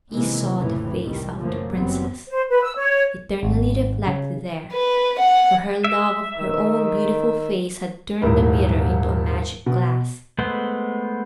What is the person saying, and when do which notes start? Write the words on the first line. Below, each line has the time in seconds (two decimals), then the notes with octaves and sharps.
He saw the face of the princess--eternally reflected there; for her love of her own beautiful face had turned the mirror into a magic glass.
0.11 C3 D#3 E3 G#3 A#3
0.55 A1 F2 A2 C#3 E3
1.03 C2 D#3 G3
1.37 F#2 C#3 F3 A3 A#3
1.71 F#1 F#2 F#3 G3 B3 C4
2.27 C5
2.49 B4
2.62 E6
2.76 C#5
3.43 G#1
4.07 C#3
4.73 B4
5.20 F#5
5.84 E5
6.38 D#3
8.22 D#1 G#2 E4 A#4
9.66 B2
10.39 G#3 A3 B3 C5